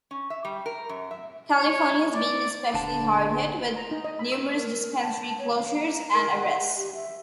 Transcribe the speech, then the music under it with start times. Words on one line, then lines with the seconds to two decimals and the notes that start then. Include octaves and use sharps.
California has been especially hard hit, with numerous dispensary closures and arrests.
0.11 C#4
0.30 E5
0.45 G3
0.66 A#4
0.89 F#2
1.11 E5
1.53 C#5
2.14 D5
2.74 D#1 D3 A5
3.76 A#5
3.91 D#4
4.05 D#5
4.19 B5
4.32 E6
4.55 A#4
5.01 A5
5.39 C#5
5.54 F5
5.76 A#5
6.14 A#4
6.35 F#5
6.77 G4
6.95 E5